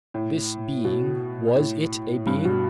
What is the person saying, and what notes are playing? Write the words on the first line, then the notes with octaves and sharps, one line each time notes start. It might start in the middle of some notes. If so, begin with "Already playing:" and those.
This being--was it a being?
A2
B2
A2
G2
B2